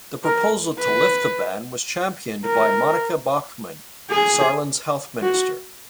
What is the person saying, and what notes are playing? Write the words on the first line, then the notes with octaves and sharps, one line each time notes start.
The proposal to lift the ban was championed by Monika Bachmann, Saarland's Health Minister.
A#4
B4
A#4
G#4
F#4